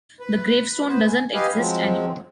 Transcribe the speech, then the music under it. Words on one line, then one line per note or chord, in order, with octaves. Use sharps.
The gravestone doesn’t exist anymore.
B4
B3 B4 C5
G#5
G4 B4 D#5 F5 G#5
F3 F#3 G#3 C4